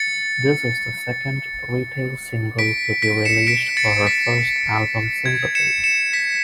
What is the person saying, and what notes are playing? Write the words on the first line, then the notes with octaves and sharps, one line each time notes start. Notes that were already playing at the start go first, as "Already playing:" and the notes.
This is the second retail single to be released for her first album sympathy.
Already playing: A6 C#7
B6 D7
B6 D7
C#7 E7
B6 D7
A6 C#7
B6
G#6
C#7 E7
C#7 E7
B6